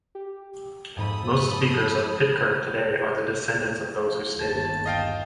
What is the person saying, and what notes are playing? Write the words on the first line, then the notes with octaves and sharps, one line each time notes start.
Most speakers of Pitkern today are the descendants of those who stayed.
G4
F2 G#2 F3 A4 B5 D#6
F3
G1 D#2 A5
D#5 F5 G5